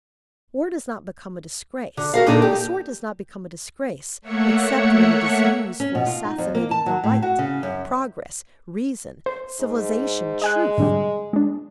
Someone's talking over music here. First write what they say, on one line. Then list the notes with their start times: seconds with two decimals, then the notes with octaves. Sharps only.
War does not become a disgrace, the sword does not become a disgrace, except when it is used for assassinating the right, progress, reason, civilization, truth.
1.97 D3
2.14 F#4 A#4 F5
2.26 A#2 D3 D#4 A4
2.42 G4
4.22 A3 A#3 C#5 E5 F#5 C#7
5.80 C#4
5.95 B2
6.06 F4
6.25 D#4
6.38 F2
6.55 A#3
6.71 A5
6.86 F#3
7.04 A2
7.22 F#4
7.39 C#3
7.63 F#2
9.26 C5
9.60 G#2
10.42 G#3 D#5 G#5 F#6
10.78 G#2 D3 G3
11.33 G#3 D4